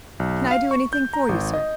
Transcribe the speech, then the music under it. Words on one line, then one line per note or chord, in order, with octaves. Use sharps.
"Can I do anything for you, sir?"
B1
F5
C#6
G6
A#5
G#1
D#5